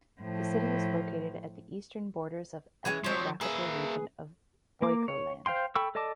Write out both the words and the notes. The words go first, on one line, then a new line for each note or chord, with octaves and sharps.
The city is located at the eastern borders of ethnographical region of "Boyko Land".
A2 F3
E3 G#3 C#4
F3 F#3 C4 C#5
A#3 G#4 B4 E5
A#3 D6
C#5
C5 F5 G5 C6
A4 G5 B5 C#6 E6
A4 D5 D#5 A5 D6